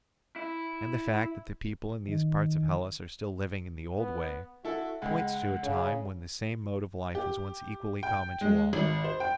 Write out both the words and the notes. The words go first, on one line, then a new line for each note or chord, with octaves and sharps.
And the fact that the people in these parts of Hellas are still living in the old way points to a time when the same mode of life was once equally common to all.
E4
D#3
B3
E4 F#4 A4
C#2 G#3 F#5
C#3
G4
G5
G#3
G#1
C5
G5